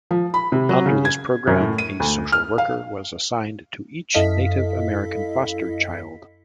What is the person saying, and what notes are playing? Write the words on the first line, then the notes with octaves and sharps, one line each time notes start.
Under this program, a social worker was assigned to each Native American foster child.
F3
B5
C3
F#3
C#3
G#6
F#2
A2
D#7
D2
F6
F5
F#2 E4 A4 D#5 F5 B6